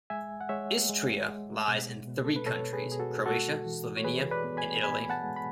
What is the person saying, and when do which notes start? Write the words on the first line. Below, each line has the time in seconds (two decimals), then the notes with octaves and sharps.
Istria lies in three countries: Croatia, Slovenia and Italy.
0.10 G#3 E5 G#5
0.41 F#5
0.49 G#3 C#5 E5
0.90 G#3
1.28 G#3
1.68 B2
2.07 B2
2.25 A4
2.36 B4
2.46 B2 A4 C#5
2.73 G#4 B4
2.86 B2
2.92 G#4
3.00 F#4 A4
3.26 G#3 F#4 A4
3.65 E3
3.97 C#5
4.04 E3 G#4 B4
4.31 B4 D5
4.44 B3
4.57 G#5 B5
4.83 B3 G#5 B5
5.10 F#5 A5
5.23 G#3
5.37 B5